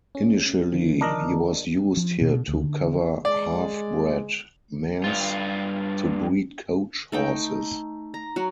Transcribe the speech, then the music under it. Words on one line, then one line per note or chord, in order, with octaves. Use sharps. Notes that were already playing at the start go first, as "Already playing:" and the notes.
Initially he was used here to cover "half-bred" mares to breed coach horses.
C#4
D3 D#3 F3
D4 A#4 D#5
F3
B2
D2
D3
G#3 D5
G2 F4
A3 D#4 G5
A#5
F#3 F#4